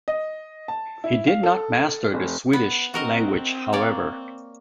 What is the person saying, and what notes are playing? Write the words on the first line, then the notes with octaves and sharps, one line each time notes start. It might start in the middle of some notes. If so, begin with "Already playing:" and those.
He did not master the Swedish language however.
D#5
A5
E4
F5
A4
F1
B3
C4 F#4 A#4 D#5
A#3 C#5 D5